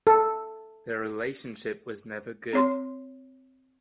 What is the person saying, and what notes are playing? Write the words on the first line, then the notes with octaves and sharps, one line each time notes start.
Their relationship was never good.
A4
C4 C#5 C6